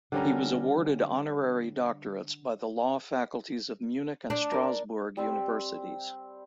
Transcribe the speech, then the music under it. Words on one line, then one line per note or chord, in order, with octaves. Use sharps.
He was awarded honorary doctorates by the law faculties of Munich and Strasbourg Universities.
D3 G3 C#4 A#4
D4
A#4 D5
G3 C4